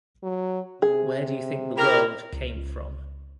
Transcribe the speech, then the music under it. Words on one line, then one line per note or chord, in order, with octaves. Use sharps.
Where do you think the world came from?
F#3
C3 G#4
E4 G4 A#4
C#2
C#2